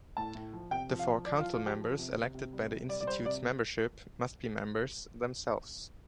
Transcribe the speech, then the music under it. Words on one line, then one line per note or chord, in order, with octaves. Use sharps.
The four Council members elected by the Institute's membership must be members themselves.
A2 A5
A2
F3
C3 G5
F3
F5
F3
F3 D5
F4
F3
F4
F3 G4
F3
C3
C3
C3
G3
C3
G3 D5
D5
G3 C5
C3 D5